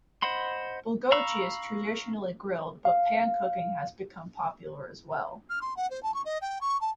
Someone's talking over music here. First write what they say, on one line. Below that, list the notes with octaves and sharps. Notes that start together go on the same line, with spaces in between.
"Bulgogi" is traditionally grilled, but pan-cooking has become popular as well.
C5 D#5 F#5 B5 C6
F5 A#5 B5 C#6 E6
F5
F6
C6
F#5
C5
A5
C#6
D#5
G5
C#6
A5